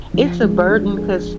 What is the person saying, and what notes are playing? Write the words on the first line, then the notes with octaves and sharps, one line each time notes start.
it's a burden, 'cause
F3
G#3
D4
G#4